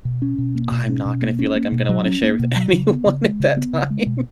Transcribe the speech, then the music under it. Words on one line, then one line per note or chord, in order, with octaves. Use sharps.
I'm not gonna feel like I'm gonna wanna share with anyone at that time.
B2
C#4
B2
A#3
B2
C#4
B2
A#3
C#4
A#3
B2
F#3
C#4
A#3
B2
F#3
C#3
B3
C#3
G#3
C#3
B3
C#3
G#3
B2